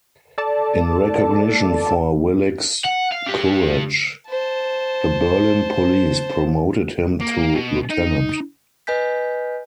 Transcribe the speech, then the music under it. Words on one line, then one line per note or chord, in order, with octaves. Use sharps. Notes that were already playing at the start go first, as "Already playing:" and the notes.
In recognition for Willig's courage, the Berlin Police promoted him to Lieutenant.
A4 D5 A5
F#5
F5
D4 G4
C5 A5
A#3
B2
D#4
B4 D#5 G#5 G6 B6